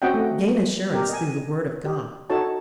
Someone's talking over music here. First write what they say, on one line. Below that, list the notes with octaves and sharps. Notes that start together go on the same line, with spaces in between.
Gain assurance through the Word of God.
C4 C#4 F#4 D#5 F#5 G5
A3
G4 A#4
D#5 G#5
G4
D#4 F#4 A4 C#5 A5